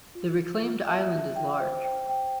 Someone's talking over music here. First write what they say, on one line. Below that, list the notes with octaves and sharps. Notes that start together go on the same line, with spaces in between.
The reclaimed island is large.
F4
F4
F4
E5
E5
G5
C5
G5
G5